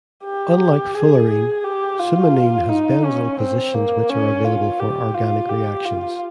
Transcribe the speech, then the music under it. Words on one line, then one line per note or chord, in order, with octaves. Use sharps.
Unlike fullerene, sumanene has benzyl positions which are available for organic reactions.
G4
G#4
G#4
G4
F4
D#4
C#4
C4
A#3
C#4
F4
G4
F4
G4
F4